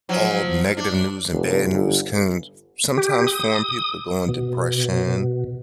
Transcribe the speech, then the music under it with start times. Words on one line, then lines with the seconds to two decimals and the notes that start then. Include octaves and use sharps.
all negative news and bad news can s sometimes form people to go in depression.
0.09 F3 F#3
0.77 D4
1.32 F1
1.70 G1
2.97 G4
3.27 D#6
4.28 B2